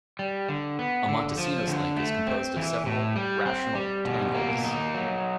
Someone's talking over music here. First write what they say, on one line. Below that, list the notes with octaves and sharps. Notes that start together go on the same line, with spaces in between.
A Montesinos link is composed of several rational tangles.
G3
D3
B3
D3
F3
D3
A3
C4
E3
A2
G3
C4
G3
B2
A#3
D#4
F#3